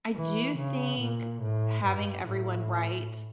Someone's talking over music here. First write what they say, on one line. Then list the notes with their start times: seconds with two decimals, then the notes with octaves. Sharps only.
I do think having everyone write
0.16 E3
0.57 C#3
0.99 A#2
1.42 A2
1.84 G2
2.25 A2